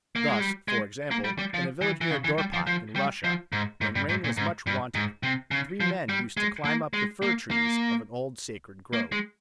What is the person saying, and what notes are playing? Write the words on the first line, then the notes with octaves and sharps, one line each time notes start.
Thus, for example, in a village near Dorpat, in Russia, when rain was much wanted, three men used to climb up the fir-trees of an old sacred grove.
A#3
G#3
G3
G#3
A#3
G3
G3
F3
E3
E3
C#3
E3
G3
F3
F3
G3
F3
G#2
G#2
G2
G#2
A#2
G#2
G2
G#2
C3
C#3
F3
G3
G#3
A#3
G#3
A#3
A#3
A#3
G#3